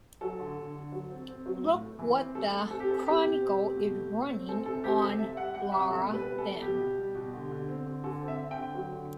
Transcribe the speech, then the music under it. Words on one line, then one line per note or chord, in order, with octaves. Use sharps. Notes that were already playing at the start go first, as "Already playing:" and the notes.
Look what the Chronicle is running on Laura Ben.
F#3 A4
D3
D3
D3
F#3
C4
C4
F#3
A2
A3
E3
C4
A3 A4
A3
C4 A4
G4
C4 A4
C4 G4
B2
C4
A3
B2
A3
A3
C4
C4 A4
C3 A4
C4 G4
C4 A4
C3 E5
G3 F#5
G3 F#5
C3 E5
B2 A4
G3
B4
G3
A4
B3
B2 G4
B2
G3
B2
D3
D3
C4
D3
D3 A4
C4
E5
C4
G5
D3
F#3
D3